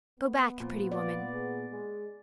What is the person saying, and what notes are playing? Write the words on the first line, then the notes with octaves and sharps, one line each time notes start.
'Go back, pretty woman!
B3
A#2 F3
F4 D5
G#4
G#3